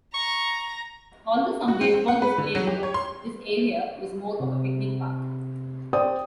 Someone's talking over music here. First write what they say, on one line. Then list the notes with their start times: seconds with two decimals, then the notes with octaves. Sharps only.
Although some baseball was played here, this area was more of a picnic park.
0.14 A#5 C#6
1.68 F#4
1.81 C4
1.94 C4
2.08 F#5
2.22 B4
2.38 D3
2.55 F#3
2.67 G4
2.83 C#5
2.94 C6
4.40 C3
5.93 C5 D5 G5 D#6